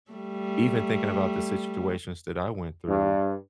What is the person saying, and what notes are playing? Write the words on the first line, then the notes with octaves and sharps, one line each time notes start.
even thinking about the situations that I went through,
G3 A3
G2